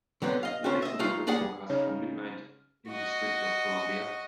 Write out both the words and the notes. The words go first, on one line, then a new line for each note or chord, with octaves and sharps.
What is the weather forecast for Midnight in District Of Columbia?
D3 F#3 B3 C4
D#5 F5
C4 C#4 F4 F#4
D#5 E5
A3 D4 D#4 F4
A#3 D4 G#4 D5 F#5
C#3 D#4 C#5 F6
F#4 D#5